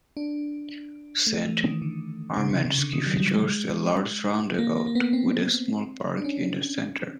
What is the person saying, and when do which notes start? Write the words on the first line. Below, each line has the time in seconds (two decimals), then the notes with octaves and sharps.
Saint Armands Key features a large roundabout with a small park in the center.
0.17 D4
1.27 A3
1.45 E3
1.63 D#3
1.82 D3
2.38 C#3
2.51 C3
2.65 C#3
2.79 D3
2.93 D#3
3.06 F#3
3.20 G3
3.34 G#3
4.59 A#3
4.77 A#3
4.87 A#3
4.95 B3
5.13 C4
6.17 D4
6.24 C#4